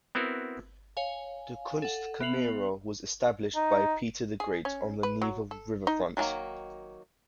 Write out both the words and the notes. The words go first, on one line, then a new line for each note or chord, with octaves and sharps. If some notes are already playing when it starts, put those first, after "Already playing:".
The Kunstkamera was established by Peter the Great on the Neva Riverfront.
B3 C4 E4 F#4 A#4
C#5 F5 G#5
A4 F#5
B3 E5 C7 F7 F#7
D#4
G#4
C#4
B4
F#3
A4
D#4
D#3 F#3 A3 A#3